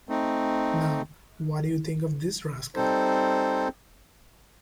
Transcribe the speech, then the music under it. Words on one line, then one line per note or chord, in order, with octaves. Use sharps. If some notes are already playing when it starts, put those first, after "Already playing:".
Now, what do you think of this rascal?
A3 C4 D#4
G3 C4 D#4 A4 C5